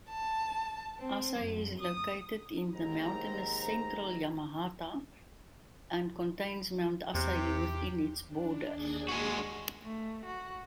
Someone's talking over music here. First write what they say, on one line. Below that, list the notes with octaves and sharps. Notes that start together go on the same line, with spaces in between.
Asahi is located in mountainous central Yamagata, and contains Mount Asahi within its borders.
A5
C4
F#2
D#6
D#2 G#2 C4 A#5
E2 C3 G4
D4
D#2 D4 G#4
G#3 F#4
A3
F#4